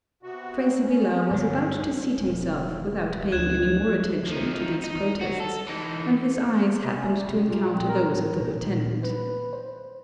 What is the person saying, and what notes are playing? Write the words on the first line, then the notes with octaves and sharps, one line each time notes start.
Fray Sibyla was about to seat himself without paying any more attention to these protests when his eyes happened to encounter those of the lieutenant.
C3 B3 F#4
C#4
G2 D3
E1
D2 F#6 G#6 E7
F3 D#4
D#4
F#4 C#5
A4
E3 D#4
C3
C#4
G3
C3
A#2
C4
A#4
A2
A#2
B4
C5